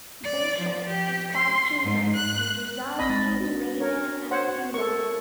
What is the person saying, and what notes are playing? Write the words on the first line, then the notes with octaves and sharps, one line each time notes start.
Boshoff has five children and resides in Orania and Kimberley.
D5
F3
G4
C6
G#2
F#6
A1 C4 D5 D#5 B5
G#3 D#4 A6
D4 F#4
A#4 C#5
C5 C#5 F#5
A4 A#4 C#6